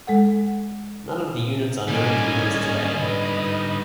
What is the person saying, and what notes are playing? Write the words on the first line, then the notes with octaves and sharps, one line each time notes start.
None of the units are known to exist today.
G#3 A4 F#5
G#2 D3 G3 A#3 C#4 D#5 G#5
G#2 B4 D#5
D#4